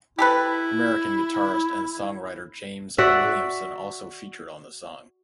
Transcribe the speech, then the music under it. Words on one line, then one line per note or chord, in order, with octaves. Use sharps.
American guitarist and songwriter James Williamson also featured on the song.
E4 G4 A4 B4
F#4 D5 E5